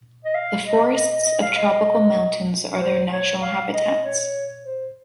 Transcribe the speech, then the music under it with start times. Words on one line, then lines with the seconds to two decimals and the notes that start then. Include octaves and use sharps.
The forests of tropical mountains are their natural habitats.
0.25 D#5
0.35 F5
0.65 D#5
0.95 D#5
1.12 D#5
1.26 D#5
1.42 F5
1.57 D#5
2.81 C5
3.12 C#5
3.42 F5
3.74 D#5
4.04 C#5
4.66 C5